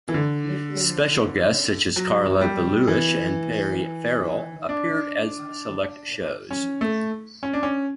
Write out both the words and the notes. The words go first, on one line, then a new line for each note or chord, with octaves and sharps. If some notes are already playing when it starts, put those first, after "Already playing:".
Special guests such as Carla Bozulich and Perry Farrell appeared at select shows.
E3
D3
F#3
G3
E3
D4
C#4
A3
C#4
D4
C#4